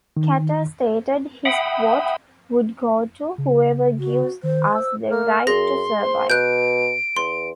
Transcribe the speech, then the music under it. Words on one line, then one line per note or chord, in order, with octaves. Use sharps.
Katter stated his vote would go to "whoever gives us the right to survive".
D#3
E5 F#5 G5 B5 D#6
C#3
F#4
D#3 C5
E6
A#3 F6
F#2 G#4 C6 A#6
C5
B2 F#6 G6 D7
E2 C6